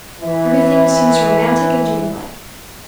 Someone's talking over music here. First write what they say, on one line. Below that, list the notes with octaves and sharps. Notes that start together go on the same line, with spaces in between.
Everything seems romantic and dreamlike.
E3 E5